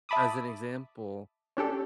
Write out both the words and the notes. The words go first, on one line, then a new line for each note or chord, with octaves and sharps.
as an example
E5 A5 B5 D6 D#6
C#4 D4 G4 A4